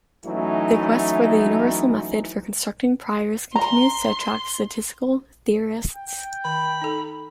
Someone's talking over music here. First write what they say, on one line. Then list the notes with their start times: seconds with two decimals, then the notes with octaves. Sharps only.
The quest for "the universal method for constructing priors" continues to attract statistical theorists.
0.26 E3 F#3 A3 C#4 D#4 E4
3.56 A#5 C6
5.94 G5
6.45 D#3 B5
6.82 D#4 A4